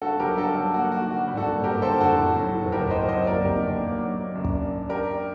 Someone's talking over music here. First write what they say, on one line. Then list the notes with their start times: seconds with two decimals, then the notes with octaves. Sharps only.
Chief Wawasee, like his brother, was big and strong.
0.02 G2 F#4 A4
0.20 F#3 G4 A#4
0.37 G2 F#4 A4
0.55 F#3 F#4 A4
0.74 A#3 F#4
0.92 D#3 F#4
1.10 D3 F#4
1.28 G3
1.37 F#4 A4
1.46 A#3
1.64 D4 G4 A#4
1.82 D3 A4 C5
2.00 D3 F#4 A4
2.19 A2
2.36 F#3
2.55 A2
2.72 A2 G4 A#4
2.90 A2 C5 D#5
3.08 F#3 C5 D#5
3.27 A#3 A#4 D5
3.45 A#3 D#4 G4
3.63 D4
3.81 A#3
3.99 F#3
4.17 A#3
4.35 F#2
4.54 D4
4.71 D4
4.89 D4 G4 A#4
5.08 D4